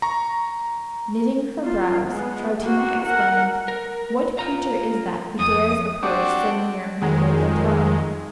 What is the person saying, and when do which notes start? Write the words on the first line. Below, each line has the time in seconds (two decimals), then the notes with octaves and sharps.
Knitting her brows, Troutina exclaimed, "What creature is that who dares approach so near my golden throne?"
0.02 A#5 C#6
1.65 F4
2.07 G#3 B3
2.60 A#3 F#4
3.05 A#4 F#5
3.68 A#4
4.39 F4 A#5
5.39 F2 D#6
6.03 C4 D4 F#4 G4
7.01 F2 D#3 G#3